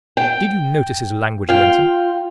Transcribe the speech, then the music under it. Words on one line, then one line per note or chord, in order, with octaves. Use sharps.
Did you notice his language, Linton?
G5
F4 F5 G5